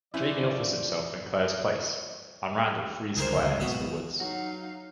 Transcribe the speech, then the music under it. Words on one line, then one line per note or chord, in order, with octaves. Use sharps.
Jamie offers himself in Claire's place, and Randall frees Claire into the woods.
F#1 E3 F3 C#4 E4 C5 D5
C#2 D3 G3 G#4 A#4 C5
G#1 B2 F#3 B3 F#4
F#3 D#4 F#4 F5